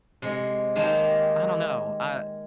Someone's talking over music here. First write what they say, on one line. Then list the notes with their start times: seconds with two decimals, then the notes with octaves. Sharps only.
I don't know. I
0.22 C3 G#3
0.76 D#3 G#3 A#3 D#4 G4 A5